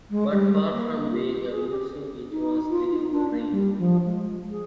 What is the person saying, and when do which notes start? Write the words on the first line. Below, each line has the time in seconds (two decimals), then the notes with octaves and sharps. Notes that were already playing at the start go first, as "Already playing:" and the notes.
But far from being amusing, it was very worrying.
0.10 G#3
0.30 G3
0.70 A#3
1.11 F4
1.31 G4
1.50 G#4
1.70 G4
2.31 D#4
2.70 F4
2.91 D#4
3.11 D4
3.31 A#3
3.51 G3
3.78 F3
4.05 G#3
4.51 G#4